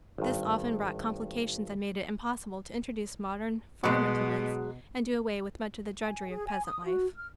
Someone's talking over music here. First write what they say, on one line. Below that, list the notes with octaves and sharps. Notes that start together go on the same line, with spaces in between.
This often brought complications and made it impossible to introduce modern farm implements and do away with much of the drudgery of peasant life.
G#1 G2
B2 F#3 G#3
G#5
G#4
G#5
D#6
F#4
F6